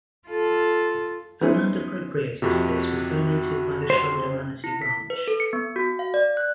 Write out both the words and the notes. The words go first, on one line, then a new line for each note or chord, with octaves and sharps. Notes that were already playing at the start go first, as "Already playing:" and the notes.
The land appropriated for this was donated by the Schroeder-Manatee Ranch.
F4 A4
B3 C#4 D#4 E4 G#4 C5
F2 C3 F#4
C5
E4
B6
B4
A4
C#7
B3
F#4
F5
D5
F#6